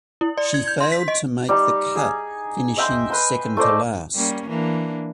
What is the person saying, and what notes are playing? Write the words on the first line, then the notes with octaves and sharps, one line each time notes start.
She failed to make the cut, finishing second to last.
E4
D5
G#6
G6
C6
B6
D#5
G3 D#4
G#4
D#5 E5 G5 C6
B4 C6
A3 C5 D5 D#5
G3 A#3 C#4
E3 A#3 D4